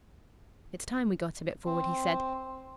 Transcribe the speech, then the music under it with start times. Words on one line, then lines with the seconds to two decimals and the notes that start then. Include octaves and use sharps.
"It's time we got a bit forward," he said.
1.65 C4